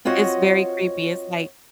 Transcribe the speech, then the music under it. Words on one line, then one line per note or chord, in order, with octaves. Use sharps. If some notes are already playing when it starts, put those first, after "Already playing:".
it's very creepy, it's like
C4 F4 F#4 C#5 D#5 F#5